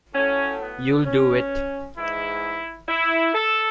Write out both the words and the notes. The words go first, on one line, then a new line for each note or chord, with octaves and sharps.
You'll do it?
A2 F#3 A3 C#4
B3
C#4
G#2 E3 G#3 E4
E4
A4